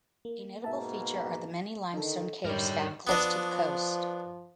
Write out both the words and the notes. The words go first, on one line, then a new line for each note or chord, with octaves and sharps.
A notable feature are the many limestone caves found close to the coast.
A#3
G#2 B2 A#3 E5 A5
D3 D#3 D#4 A4
G#2 D3 D#3 G3 A#4 C#5
F3 B3 D4 D#5